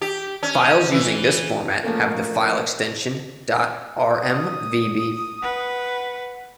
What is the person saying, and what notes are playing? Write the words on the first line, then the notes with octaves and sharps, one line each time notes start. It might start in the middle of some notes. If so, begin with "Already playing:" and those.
Files using this format have the file extension ".rmvb".
G4
C#4
E3
F3 A3 A#3 C#4 A#4
D#6
B4 F#5